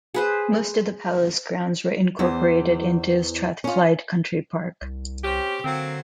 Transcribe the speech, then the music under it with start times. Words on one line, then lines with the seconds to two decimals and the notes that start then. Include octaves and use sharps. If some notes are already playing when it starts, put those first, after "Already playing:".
Most of the palace grounds were incorporated into Strathclyde Country Park.
0.14 G#4 B4 C5
2.19 E2 E3 C5
3.64 C#4 F4
4.82 C2
5.24 C4 C#4 G4
5.64 D3 F#3 A#3 C4